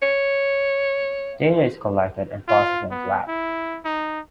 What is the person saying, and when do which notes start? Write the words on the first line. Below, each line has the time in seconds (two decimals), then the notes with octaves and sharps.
Data is collected and processed in the lab.
0.02 C#5
2.48 F4
2.91 B3
3.28 E4
3.85 D#4